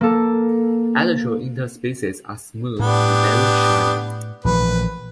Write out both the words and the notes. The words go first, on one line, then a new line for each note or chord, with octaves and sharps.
Elytral interspaces are smooth and very shiny.
A#3 A4
A2 B3 D4 G4
A#1 E3 B4